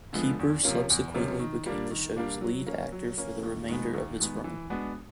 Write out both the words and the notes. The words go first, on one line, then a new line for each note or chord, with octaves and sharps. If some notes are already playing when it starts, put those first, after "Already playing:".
Keeper subsequently became the show's lead actor for the remainder of its run.
D3 F3 G#3 B3
E2
C3 F3 A#3 C#4
E2
C3 F3 A#3 C#4
D#3
G3 A#3 D4
D#3
G3 A#3 D4
F#3
A#3 C#4
F#3
A#3 C#4
D#2
D#3 G#3 B3
D#2
D#3 G#3 B3
E3
G#3 B3 D4 F#4